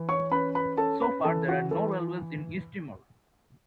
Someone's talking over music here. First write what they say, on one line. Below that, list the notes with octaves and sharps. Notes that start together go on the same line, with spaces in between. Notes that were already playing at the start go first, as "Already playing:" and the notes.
So far there are no railways in East Timor.
Already playing: E3
C#5 C#6
C#4 B4 B5
B4 B5
C#4 A4 A5
B4 B5
E3 A4 A5
F#4 F#5
E3 A4